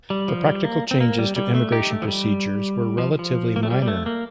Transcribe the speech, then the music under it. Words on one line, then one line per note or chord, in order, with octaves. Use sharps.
The practical changes to immigration procedures were relatively minor.
G3
F3
G3
A#3
C4
A#3
G3
G3
A3
D#4 G4
A3
F3
G3
F3
F3
A#3
A3
G3
G3
A3
A#3